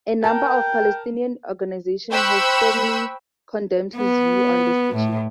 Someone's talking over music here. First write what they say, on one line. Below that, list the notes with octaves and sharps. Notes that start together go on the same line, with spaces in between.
A number of Palestinian organizations have strongly condemned his views on this issue.
A#4 G5 A5
C5 G5 B5 C#6 E6 F#6
B3
A2